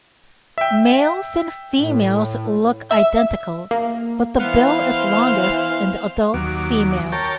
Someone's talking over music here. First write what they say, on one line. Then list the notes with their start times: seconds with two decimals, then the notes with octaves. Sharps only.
Males and females look identical, but the bill is longest in the adult female.
0.58 E5 G5
1.79 A2
2.91 E5
3.71 A#3
4.40 E3 B3 C5 F5 F6
6.34 D#2 F#3 D6
7.12 A#4 C#5 G5 A5